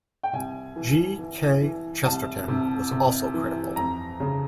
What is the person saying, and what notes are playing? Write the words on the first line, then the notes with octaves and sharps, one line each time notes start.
G. K. Chesterton was also critical.
G5
C2 G#5
E3
E3
E3
C2 A5
C3
C3
E3
F2 A#5
C#3